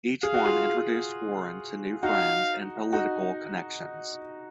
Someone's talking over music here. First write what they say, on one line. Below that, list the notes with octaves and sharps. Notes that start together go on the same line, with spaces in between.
Each one introduced Warren to new friends and political connections.
G#4 F5
F#4
F4 G#4
D#4 F#4 F5
D#4 F#4